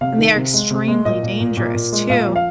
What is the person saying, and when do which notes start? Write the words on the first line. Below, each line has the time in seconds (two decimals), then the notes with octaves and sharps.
and they are extremely dangerous too,
0.01 C3 F5
0.18 D#3
0.36 C3
0.53 G#3
0.71 C3
0.88 G#3
1.05 A#2 D#5
1.23 A#2
1.40 A#2
1.57 A#2
1.75 A#2
1.92 G#3
2.10 A#2 F5
2.27 F3
2.36 F5